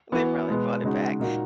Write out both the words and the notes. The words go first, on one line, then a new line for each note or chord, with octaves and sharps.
they probably brought it back.
E3 B3 F#4
B2 G#3 B3
C#3 G#3 D#4 F#4
A#2 A#3 D#4 F#4